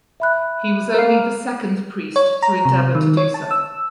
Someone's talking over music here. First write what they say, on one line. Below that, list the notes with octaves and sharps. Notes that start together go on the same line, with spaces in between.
He was only the second priest to endeavor to do so.
E5 B5 F#6
A#4 F5
C#5
A#5
C3
D#3
C#5
A5
E6